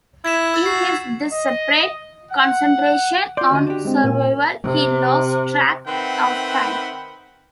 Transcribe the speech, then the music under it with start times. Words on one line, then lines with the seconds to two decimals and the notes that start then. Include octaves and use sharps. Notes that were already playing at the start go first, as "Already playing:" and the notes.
In his desperate concentration on survival, he loses track of time.
0.25 E4 G#6 B6 E7
0.54 E6 A6
0.66 F#4 C7
1.32 D#5
2.30 F#5
3.37 F4 D5 C6 D6 G6
3.51 D2 D3 F#4 D#5
3.67 D4 G4
3.85 G#3 C4
4.04 A#2 A#4 G#5
4.63 C3
5.86 D#3 C4 B4 E5 F#5 B5